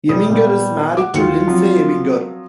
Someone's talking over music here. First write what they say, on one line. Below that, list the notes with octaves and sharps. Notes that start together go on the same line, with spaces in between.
Eminger is married to Lindsay Eminger.
E1 G3 D#6
A#2 G3 B3
F#5 D6
D#2 F4 F#4 C#7
F3 F#3 C4